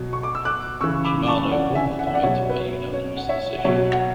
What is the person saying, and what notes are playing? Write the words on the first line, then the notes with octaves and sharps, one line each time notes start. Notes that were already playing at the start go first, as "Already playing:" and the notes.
Shimano won the fight by unanimous decision.
Already playing: B2 F#3
C#6
D6
E6
D6 F#6
C#3 E3 C#6 E6
B5 D6
D6
A5 C#6
D5 F#5
E5 G#5
F#5
E5
D5 F#5
B2 F#3 C#5 E5
B4
C#5
C#5
F#5
C#5 E5
F#5
B2 F#3 C#5 E5
F#5